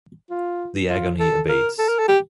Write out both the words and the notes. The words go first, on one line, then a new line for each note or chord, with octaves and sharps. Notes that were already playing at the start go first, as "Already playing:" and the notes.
The agony abates.
F4
F4
A4
A#4
A4
A#4
A4
G4